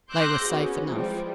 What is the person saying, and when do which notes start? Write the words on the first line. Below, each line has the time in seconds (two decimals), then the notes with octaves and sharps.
They were safe enough.
0.12 C6 D6 E6 F#6 G6 A#6
0.44 B3 C#4 F#4 G#4
0.88 C3 E3 F3 G3 G#3